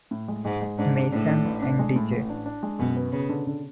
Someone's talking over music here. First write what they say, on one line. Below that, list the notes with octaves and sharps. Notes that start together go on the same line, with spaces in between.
Mason and D. J.
A2
G#3
G#2 G#3
G#3
G#2 D4
D4
A2 D4
D4
A1
D4
G#3
A2
A1
D4
D4
G#3
F#2 B2
B3
C#3 B3
D3
D3